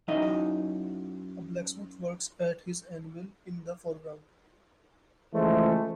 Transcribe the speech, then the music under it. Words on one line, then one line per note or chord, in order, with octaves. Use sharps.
A blacksmith works at his anvil in the foreground.
F#2 F#3 D#4 E4 D#5
C#3 E3 F3 G#3 A3 C5